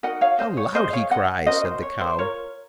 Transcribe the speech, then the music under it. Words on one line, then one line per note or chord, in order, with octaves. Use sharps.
"How loud he cries!" said the cow.
D#4 F#4 A#4 D#5 F#5
C#5 F5
C5 D#5
C#5
F4 G#4 C5 D#5
C#5 F5
D#5 F#5
C#4 F#4 A#4 C5 D#5
C5
C#5
C5
F4 A#4 C#5